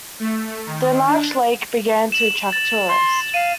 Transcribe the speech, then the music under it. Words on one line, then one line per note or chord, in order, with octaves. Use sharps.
The enlarged lake began to attract tourists.
A3
D#3
D4
E7 F#7
A6
C6
F5 D#7